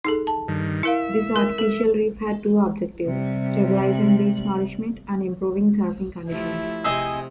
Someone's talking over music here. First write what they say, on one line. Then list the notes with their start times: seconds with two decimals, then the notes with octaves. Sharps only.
This artificial reef had two objectives: stabilizing beach nourishment and improving surfing conditions.
0.05 D#4 G#4 A4
0.27 A5
0.48 G2 D#3
0.83 E4 A#4 E5 F5
1.36 A#4
1.58 A4
3.06 C3 G3
6.30 F3 A3 E4 G4
6.84 C3 C4 G#4 D#5